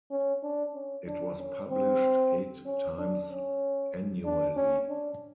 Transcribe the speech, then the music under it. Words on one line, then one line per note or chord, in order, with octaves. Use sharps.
It was published eight times annually.
C#4
D4
C#4
D4
C#4
C4
C#4
D4
C#4
D4
C#4
D4